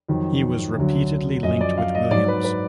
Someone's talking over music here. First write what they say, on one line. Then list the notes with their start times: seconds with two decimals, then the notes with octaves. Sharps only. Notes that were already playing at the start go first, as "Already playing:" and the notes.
He was repeatedly linked with Williams.
0.09 F2 D#3 F#3
0.76 D2 D3 F#3
1.43 F#2 F3 D#5
1.61 D5
1.78 F5
1.95 D#5
2.11 G#2 F#3 D5
2.28 B4
2.44 B4